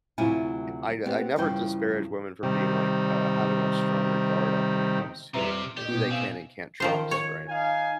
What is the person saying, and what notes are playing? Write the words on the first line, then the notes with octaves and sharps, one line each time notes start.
I I I never disparage women for being, like, uh having a stronger guard up when it comes to, who they can and can't trust, right?
D2 C3 F#3 E4 F4 G#5
B3 C4 G4
E2 G2 C#3 F3 A#4 G5
C3 D#3 G3
F2 C3 G3 B4 E5 A#5
F6 D7
G4 D5 D#5
B2 B3 D#4
C4 E5 F5 G#5
D#3 F3 C5
C#5
D#4 F5 G#5